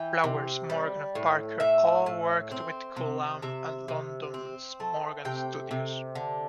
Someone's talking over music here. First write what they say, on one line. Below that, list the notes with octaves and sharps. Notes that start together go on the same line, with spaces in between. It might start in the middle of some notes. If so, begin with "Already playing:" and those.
Flowers, Morgan and Parker all worked with Coulam at London's Morgan Studios.
Already playing: E3 G5
C3
G3
A2
A2 E5
A2
C4
C3
C3 E5
C3
C4
A3
C3 G5
C3
D3